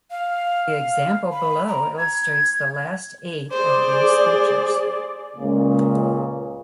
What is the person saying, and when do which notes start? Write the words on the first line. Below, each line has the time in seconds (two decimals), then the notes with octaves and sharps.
The example below illustrates the last eight of these features.
0.11 F5
1.32 B5
1.68 A#5
1.98 G#6
3.52 G#4 C5 D5
5.36 C#2 A#2 C#3